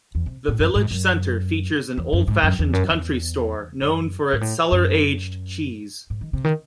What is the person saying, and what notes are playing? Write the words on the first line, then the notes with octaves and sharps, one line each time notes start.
The village center features an old-fashioned country store, known for its cellar-aged cheese.
E2
C3
A2
F#2
G#2
F#2
E2
F#2
G#2
F#2
E2
F#2
E2
F#2
G#2
A2
F#2
G#2
D#3
C3
D#3